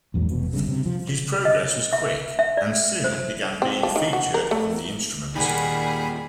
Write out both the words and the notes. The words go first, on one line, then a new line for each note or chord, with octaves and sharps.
His progress was quick, and soon began being featured on the instrument.
A#1 E2 G#2 F#3
F1 B2
G1 G2 C#3
C3
F3
D#5
E5
E5
D5
C5
C4
F3
D#3
F#4
A#4
A3
D#2 A#2 D#3 G3 G#4 F#5 B5